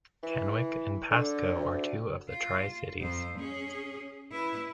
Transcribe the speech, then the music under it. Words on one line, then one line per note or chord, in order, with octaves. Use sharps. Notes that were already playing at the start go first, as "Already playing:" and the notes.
Kennewick and Pasco are two of the Tri-Cities.
E3
D3
D2
F4
F2 C5
C#4 G#4
E4 B4